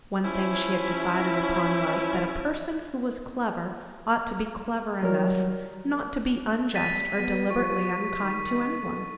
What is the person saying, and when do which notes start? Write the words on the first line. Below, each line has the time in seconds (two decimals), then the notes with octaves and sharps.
One thing she had decided upon was, that a person who was clever ought to be clever enough not to be unjust or deliberately unkind to any one.
0.25 F3 C#4 E4
5.03 F#3 G3 A#4
6.75 G3 A6 B6 D#7
7.16 B3
7.50 F3 G4 C#6
8.20 D#3
8.80 E2 B2 A4